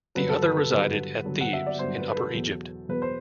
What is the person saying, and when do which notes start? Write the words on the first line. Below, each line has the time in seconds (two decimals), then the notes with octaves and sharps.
The other resided at Thebes in Upper Egypt.
0.15 G2 D3 F#3 B4
0.29 A4
0.43 B4
0.57 A4
0.70 G2 D3 F#3 B4
1.25 G2 D3 F#3
1.41 F#5
1.53 E5
1.67 D5
1.79 G2 D3 F#3 C5
1.98 B4
2.09 B4
2.16 A4
2.35 E2 B2 F#3
2.89 E2 B2 F#3 B4
3.02 C5